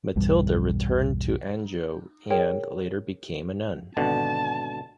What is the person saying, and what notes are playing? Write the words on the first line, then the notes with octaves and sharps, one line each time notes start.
Matilda returned to Anjou and later became a nun.
B1 E2 G2 G3
G#4 A#4 C#5 G5
G#1 B2 D3 A5